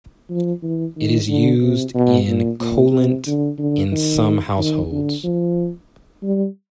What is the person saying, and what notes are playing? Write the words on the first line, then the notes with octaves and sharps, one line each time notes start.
It is used in cholent in some households.
F3
E3
D#3
D3
C3
B2
A#2
A#2
C3
D3
D3
D#3
D#3
D3
F3
G3